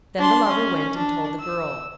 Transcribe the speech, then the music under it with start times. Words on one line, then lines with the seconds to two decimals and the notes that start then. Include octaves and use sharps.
Then the Lover went and told the Girl.
0.18 D4 C6
0.48 C#4
0.97 D4
1.40 E6